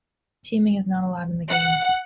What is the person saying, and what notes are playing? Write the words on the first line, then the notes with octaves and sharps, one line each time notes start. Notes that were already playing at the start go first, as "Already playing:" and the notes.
Teaming is not allowed in the game.
F#5